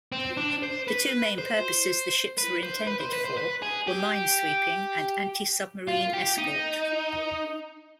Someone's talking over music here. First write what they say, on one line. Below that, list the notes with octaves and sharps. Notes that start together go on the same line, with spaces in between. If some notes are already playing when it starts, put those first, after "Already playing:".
The two main purposes the ships were intended for were minesweeping and anti-submarine escort.
C4
D4
C5
B4
C5
B4
C5
B4
C5
B4
C5
B4
G#4
G4
F4
G4
D#4